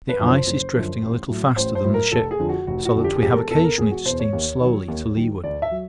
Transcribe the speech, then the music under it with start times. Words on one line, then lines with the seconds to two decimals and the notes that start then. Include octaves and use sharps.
The ice is drifting a little faster than the ship so that we have occasionally to steam slowly to leeward.
0.09 B4
0.19 F#2 D3 F3
0.28 C5
0.47 F#1
0.74 F#2 D3 F3
1.02 A1
1.29 A2 F#3
1.56 A1 C5
1.75 C5
1.84 A2 F#3
1.94 A#4
2.12 F1 A4
2.31 G#4
2.39 F2 D3 F3
2.49 F#4
2.67 F1 F#4
2.85 F#4
2.95 F2 D3 F3
3.04 G4
3.16 G#4
3.23 E1 G4
3.32 A#4
3.36 A4
3.51 E2 B2 A4
3.64 A#4
3.78 E1 G#4
3.91 F#4
4.05 E2 B2 C5
4.20 C#5
4.33 D#2
4.61 D#3 F#3
4.88 D#2
5.16 D#3 F#3
5.43 D2 D5
5.62 E5
5.71 F#3